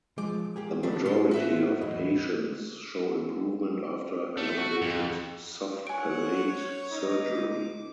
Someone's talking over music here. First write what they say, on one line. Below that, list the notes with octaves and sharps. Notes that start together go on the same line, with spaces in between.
The majority of patients show improvement after elongated soft palate surgery.
F3 G#3 D6
A#3 G4 G#4
D3 F#3 G3 D4
A2 G#3 A3 F4 C6
F#4 E5 F#6
E2 A2 F#3 D#5
A3
F#4
F2
C#5 F#5 G#5 D7
D#4 D6